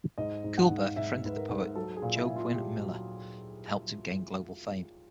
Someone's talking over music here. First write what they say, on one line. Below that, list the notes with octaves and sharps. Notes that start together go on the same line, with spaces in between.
Coolbrith befriended the poet Joaquin Miller and helped him gain global fame.
G#2 D#5
G#2
F#5
G#2
F5
G#2 E5
G#2 B4
A#4
G#2
F#3 A4
G#4
A#2
E4
A#2
F4
A#2 G4
F#3